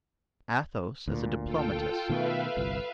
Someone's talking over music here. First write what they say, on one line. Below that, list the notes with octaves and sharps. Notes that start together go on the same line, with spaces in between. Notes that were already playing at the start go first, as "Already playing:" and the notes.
Athos as a Diplomatist.
D2 A#2
F4 A4 G5
B2 D#3 A3 B4 E5 F5
G1 C2